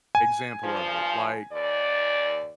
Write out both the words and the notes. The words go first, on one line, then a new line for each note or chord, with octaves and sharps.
example of it. Like,
G#5
G2 F3
D#2 D5